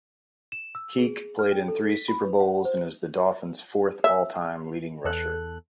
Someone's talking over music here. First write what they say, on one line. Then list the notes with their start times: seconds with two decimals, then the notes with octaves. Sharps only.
Kiick played in three Super Bowls and is the Dolphins' fourth all-time leading rusher.
0.52 E7
0.75 E6
0.98 G#4
1.39 F6
1.52 G5
1.68 A4
1.89 B6
2.08 B5
2.22 B4
2.40 F#5
2.65 C5
4.04 E5
5.05 E2 A4 F#6